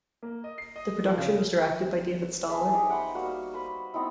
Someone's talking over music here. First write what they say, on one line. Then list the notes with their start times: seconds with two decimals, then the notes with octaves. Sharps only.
The production was directed by David Staller.
0.23 A#3
0.44 D#5
0.58 C7
0.76 D#5
1.04 F3
1.18 C#3
2.48 G#4 E5 G#5 A5
2.73 D#4 G4 G#4
2.89 B4 C5 F#5 G5
3.14 G3 A#3 F#4 F5
3.54 B4 C5
3.94 B3 C4 D#4 E4